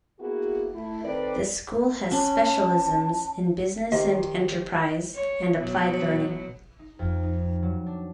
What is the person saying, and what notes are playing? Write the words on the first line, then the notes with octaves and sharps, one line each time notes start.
The school has specialisms in Business and Enterprise and Applied Learning.
A#3 B3 E4 F#4 G#4
A3 E4
D#3 C4 A4 B4 D5
C#4 A5
D#3 G4 C5 D#5
C#5
B2 F#3 B3
D#4
F2
D#4
F#3
D4